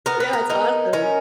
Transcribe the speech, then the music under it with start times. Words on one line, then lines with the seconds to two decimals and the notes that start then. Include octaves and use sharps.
Yeah, it's awesome.
0.06 B3 A#4
0.20 B4
0.33 A#4
0.49 D#4 A#4
0.93 C#4 A#4